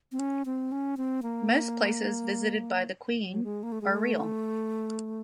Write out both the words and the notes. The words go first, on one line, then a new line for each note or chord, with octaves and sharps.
Most places visited by the "Queen" are real.
C4
C#4
C4
C#4
C4
A#3
F#3
G#3
A#3
A3
G#3
A3